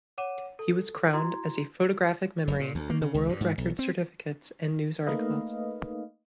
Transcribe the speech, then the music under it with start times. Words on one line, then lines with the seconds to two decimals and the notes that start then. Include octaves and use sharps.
He was crowned as "photographic memory" in the world record certificates and news articles.
0.18 C#5 F#5 D6 D#7 E7
0.59 A4
1.13 E4 F#4 A#5 C6 G#6
2.47 F#1
2.60 A#2
2.75 D2
2.90 A#3
3.02 C#3
3.14 C#2
3.29 G2
3.41 G#2
3.58 B1
3.79 C4
5.07 A3 A#3 D#4 B4 D#5 F5